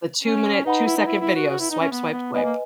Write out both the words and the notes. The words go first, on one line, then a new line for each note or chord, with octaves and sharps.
The two-minute, two-second video, swipe, swipe, swipe.
C#4
D#4 B4 F#5 B5
E4
D#4
E4
E4
F#4
F#4
E4
D#4
C#4
B3
B3
B3 B4 D#5 G#5
A#3